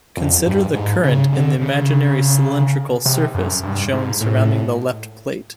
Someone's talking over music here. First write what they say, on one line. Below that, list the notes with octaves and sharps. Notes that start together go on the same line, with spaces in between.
Consider the current in the imaginary cylindrical surface shown surrounding the left plate.
F2
G2
G#2
C#3
D3
C#3
C3
F#2
G2
G#2
A2